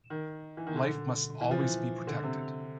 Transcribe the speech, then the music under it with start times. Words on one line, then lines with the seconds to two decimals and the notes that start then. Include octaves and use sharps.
Life must always be protected.
0.10 D#3
0.57 E3
0.67 D#3
0.76 D3
1.41 E3
1.51 F3
1.60 E3
2.07 D3
2.23 C3